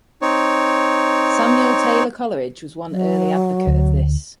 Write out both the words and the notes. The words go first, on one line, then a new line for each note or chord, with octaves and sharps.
Samuel Taylor Coleridge was one early advocate of this.
C4 D#4 C#5
F#3
D2